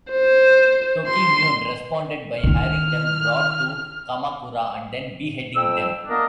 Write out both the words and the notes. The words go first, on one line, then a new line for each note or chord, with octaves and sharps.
Tokimune responded by having them brought to Kamakura and then beheading them.
C5
C6
D#3 E4 F6
F2 G5 E6
A#3 B3 D4 A#4 D#5